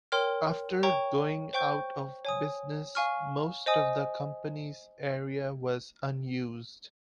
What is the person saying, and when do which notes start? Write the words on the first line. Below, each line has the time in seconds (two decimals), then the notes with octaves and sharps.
After going out of business most of the company's area was unused.
0.12 A#4 C#5 G5 C6 F6
0.83 C#5 G5 A#5 C#6
1.53 C5 G5 C#6 G6
2.25 C#5 G#5 D#6
2.95 F5 G#5 C#6 F6
3.66 C5 D#5 G#5 D#6